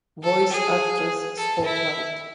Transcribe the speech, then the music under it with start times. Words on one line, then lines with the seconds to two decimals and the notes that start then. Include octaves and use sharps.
"Voice Actress Spotlight".
0.23 A4
0.51 G#4
1.37 A4
1.65 E4